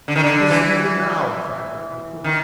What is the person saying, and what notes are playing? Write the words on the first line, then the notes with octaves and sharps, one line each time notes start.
"What is the matter now?" cried my uncle.
D3
D#3
D3
E3
D#3